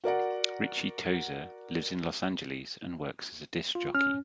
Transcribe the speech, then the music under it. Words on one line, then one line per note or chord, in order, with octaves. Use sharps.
Richie Tozier lives in Los Angeles and works as a disc jockey.
F#4 A#4 D5 F#5
F4
C#4 F6